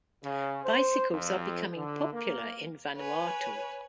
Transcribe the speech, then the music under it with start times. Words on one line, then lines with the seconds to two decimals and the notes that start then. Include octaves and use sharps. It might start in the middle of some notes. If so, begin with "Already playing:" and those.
Bicycles are becoming popular in Vanuatu.
0.23 C#3
0.64 C5
1.10 F2
1.76 D3
2.13 A#3
2.95 B4 C#5 G#5